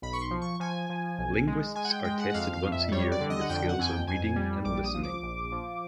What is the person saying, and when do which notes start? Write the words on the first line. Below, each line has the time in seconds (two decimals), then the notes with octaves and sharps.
Linguists are tested once a year in the skills of reading and listening.
0.02 B1 B5
0.13 C#6
0.21 C6
0.31 F3
0.42 C#6
0.60 F3 G#5
0.89 F3
1.18 B1
1.47 G#3
1.75 G#3 G#5
1.84 F#5
1.90 G5
2.04 G#3 G5
2.19 F#5
2.30 F#5
2.34 F2 F5
2.53 F5
2.62 F2
2.72 E5
2.91 G3 C#5
3.11 D5
3.20 D3
3.30 D#5
3.41 F#5
3.49 F2 G5
3.69 F#5
3.79 F2 G#5
3.87 G5
4.07 F2 G#5
4.36 G3
4.65 A#1 D6
4.84 D#6
4.94 F3
5.03 D6
5.23 A#1
5.52 F3